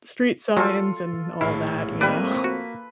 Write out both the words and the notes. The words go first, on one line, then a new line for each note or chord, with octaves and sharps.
street signs and all that, you know.
F#3 G#3 A#3 F4 A4
A#1 A2 E4 F5
F2 A2 G3 A#3 C4 B4 D5
F#4